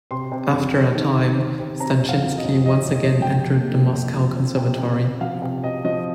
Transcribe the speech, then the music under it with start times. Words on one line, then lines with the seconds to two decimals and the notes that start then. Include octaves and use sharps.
After a time, Stanchinsky once again entered the Moscow Conservatory.
0.11 C3 C6
0.32 C3
0.53 F2
0.74 C3
0.95 D#3
1.17 C4
1.38 C4
1.59 C3
1.80 C4 A#5
2.02 F2
2.09 F5
2.23 F3
2.38 D#5
2.44 F2
2.66 F2 D#5
2.87 F2
2.94 D#5
3.08 F2
3.22 G5
3.29 F2
3.51 A#3
3.72 F3
3.93 F2
4.15 F3
4.36 C4
4.57 C3
4.78 C3
5.00 C3
5.21 F3 F5
5.42 C3
5.64 C3 D#5
5.85 F3 D#5